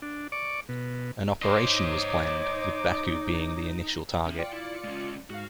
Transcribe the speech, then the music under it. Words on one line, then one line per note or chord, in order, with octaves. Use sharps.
An operation was planned, with Baku being the initial target.
D4
D5 C#6 D6
B2
D#4 C5 C#5 D#5 D6
C#4 E5
F4 D5 G5 C#7
E4
G#3 C#4
G#2 F#4 F5